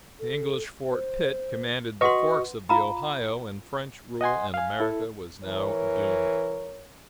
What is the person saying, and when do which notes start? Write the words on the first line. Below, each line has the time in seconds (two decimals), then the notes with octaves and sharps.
The English Fort Pitt commanded the Forks of the Ohio, and French rule in America was now doomed.
0.20 A4
0.91 C5
2.01 F#4 B4 D#5 F#5 C6 C#6
2.69 F4 F5 A#5 B5
4.21 D#5 F#5 G#5 C6
4.54 F5 G#5
4.80 E4 A4
5.44 E3 A#4 C#5